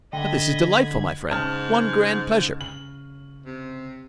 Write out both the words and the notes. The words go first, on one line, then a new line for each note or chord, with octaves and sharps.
But this is delightful, my friend--one grand pleasure!
D3 D#5 E5 G5 B5 G#6
G#2 C#3 A5 F6
F#7
C3